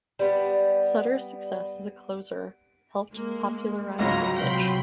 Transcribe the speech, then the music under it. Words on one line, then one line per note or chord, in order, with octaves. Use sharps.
Sutter's success as a closer helped popularize the pitch.
G3 B3
G#3 A#3
C#2 G#2 C#3 F#3 A#5
C3 F#3 G5 B5 C6